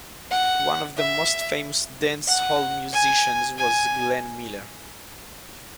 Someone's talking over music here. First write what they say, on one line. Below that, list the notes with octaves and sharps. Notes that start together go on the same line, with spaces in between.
One of the most famous dance hall musicians was Glenn Miller.
F#5
E5
F#5
G#5
G#5